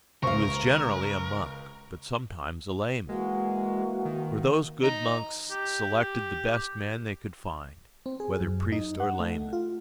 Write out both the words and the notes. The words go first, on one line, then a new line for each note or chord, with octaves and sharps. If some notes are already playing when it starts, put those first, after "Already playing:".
He was generally a monk, but sometimes a layman; for those good monks selected the best man they could find, whether priest or layman.
C#2 A#4 C5 F5 C#6
E3 G#3 A#3 F#4
D#3
D#4
G4
C4
G#4
F#2
D#4
F#5
A3
F4